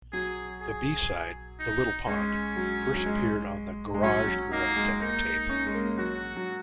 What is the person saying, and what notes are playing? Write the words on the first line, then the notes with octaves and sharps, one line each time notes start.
The B-side, "The Little Pond" first appeared on the "Garage Girl" demo-tape.
F#3 G#4
G#4
D#4
G#3 C#4
F#3
F#3
G#3
G#3
F#3 C#4
F#3
A#3 D#4
G#3
A#3 D#4
C#4
G#3
A#3
F#3 F#4
F#3